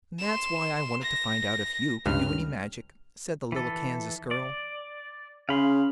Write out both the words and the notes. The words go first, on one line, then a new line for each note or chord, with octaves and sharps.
"That's why I wanted to find out if you could do any magic," said the little Kansas girl.
C6 E7
A#6
C#2 G2 F6
E3 A4
D5
C#3 F5 B5 C6